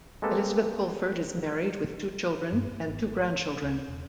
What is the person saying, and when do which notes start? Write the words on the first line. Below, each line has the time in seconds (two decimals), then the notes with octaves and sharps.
Elizabeth Pulford is married with two children and two grandchildren.
0.22 G#3 A#3 C4 G4 A4 B4
2.52 G2
2.72 B3
2.85 G#1
3.62 C#2
3.88 E1